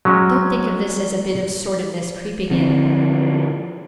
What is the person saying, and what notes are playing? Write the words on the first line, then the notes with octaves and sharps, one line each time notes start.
Don't think of this as a bit of sordidness creeping in.
F#3 G#3 C#4
D3 E3 F3 C4